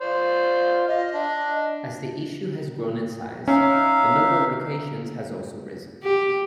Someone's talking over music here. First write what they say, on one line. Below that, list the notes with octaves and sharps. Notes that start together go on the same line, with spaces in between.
As the issue has grown in size, the number of locations has also risen.
F4 C5 D5
F4 D#5
D4
C#4 D#4 E5 F5
G4